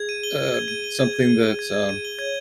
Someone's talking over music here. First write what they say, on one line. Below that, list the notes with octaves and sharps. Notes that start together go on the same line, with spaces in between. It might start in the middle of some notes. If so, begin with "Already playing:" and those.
uh, something that's, um
Already playing: G#4 G#6
D#7
G7
G#6
G#6
D#7
G7
G#4 G#6
G#6
D#7
G7
G#6
G#6
D#7
G7
C#5 G#6